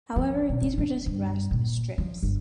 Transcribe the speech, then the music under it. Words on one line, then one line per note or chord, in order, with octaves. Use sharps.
However, these were just grass strips.
F3
B2
F#1
D4
G2
A#2
F3
G1